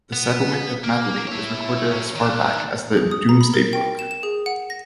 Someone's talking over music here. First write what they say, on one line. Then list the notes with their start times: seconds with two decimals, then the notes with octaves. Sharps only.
The settlement of Madeley is recorded as far back as the Domesday Book.
0.13 B3
0.84 A#3
1.27 E4 C#5
1.91 F#3 C#4
2.16 D#3 D4
2.97 G#4
3.11 D#6
3.29 A#5
3.41 B5
3.54 A#4
3.73 G5
3.99 E7
4.11 E7
4.23 G#4
4.46 F#5
4.70 A#6